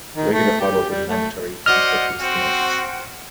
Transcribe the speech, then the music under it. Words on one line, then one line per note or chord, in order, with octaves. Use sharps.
Regular follow-up is mandatory, to detect restenosis.
D#3
A3
G4
G3
A3
F#4 C5 D5 D#5 F#5 F6
C4 F#4 C5 F#5 G5